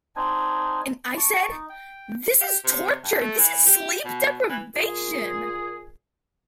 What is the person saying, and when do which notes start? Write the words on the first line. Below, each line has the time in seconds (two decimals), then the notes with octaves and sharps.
I said, 'This is torture, this is sleep deprivation'.
0.16 C4 D4 D#4 G#5
1.17 A5 C#6 D6
1.51 D#4
1.70 G5
2.41 G4
2.64 C3
3.04 G2
3.21 A3
3.38 E3
3.66 G4
4.04 B2
4.50 E3
4.75 A#2 G#4